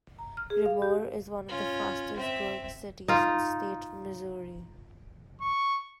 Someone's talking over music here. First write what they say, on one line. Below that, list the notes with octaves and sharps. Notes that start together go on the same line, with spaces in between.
Raymore is one of the fastest growing cities in the state of Missouri.
A#5
F6
G#4
F5
G4
C#4 F4
C4 E5
D#4 F4
C#6